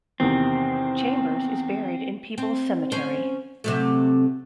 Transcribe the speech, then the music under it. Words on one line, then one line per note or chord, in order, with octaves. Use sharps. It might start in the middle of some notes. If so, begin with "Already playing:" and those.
Chambers is buried in Peebles Cemetery.
E2 C3 D#3 C4
C4
C#4 C5
C3 F#3 A3